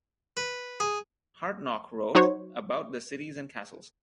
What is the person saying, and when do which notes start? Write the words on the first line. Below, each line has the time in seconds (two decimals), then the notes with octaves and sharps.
Hartknoch wrote: About the cities and castles.
0.37 B4
0.80 G#4
2.15 F#3 D#4 F#4 C5 C#5